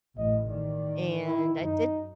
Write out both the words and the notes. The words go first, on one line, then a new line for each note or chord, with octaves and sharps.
And I did
A1 A2 D#5
D#3 D5
E4
F#2 D#4